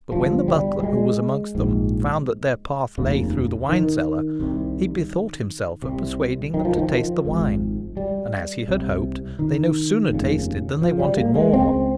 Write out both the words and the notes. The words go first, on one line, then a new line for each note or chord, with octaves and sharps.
But when the butler, who was amongst them, found that their path lay through the wine cellar, he bethought himself of persuading them to taste the wine, and, as he had hoped, they no sooner tasted than they wanted more.
G1 G2 F3
G3
G3
G#3
A#1 G#2
F1 D#2 C#3
D#3
C2 C3
C2 C3
D#3
F3
D#3
F3
G#1 G#2
G3
C2 C3
D#3
F1 D#2 C#3
F3
G3
A#3
G#3
C#2 C#3 C4